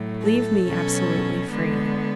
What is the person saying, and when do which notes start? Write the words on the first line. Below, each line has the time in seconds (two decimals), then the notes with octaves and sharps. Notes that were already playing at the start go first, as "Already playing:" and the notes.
Leave me absolutely free.
Already playing: A2 F#3 A3
0.22 A4
0.65 B2 F#3 C#4
1.51 D3 G#3 B3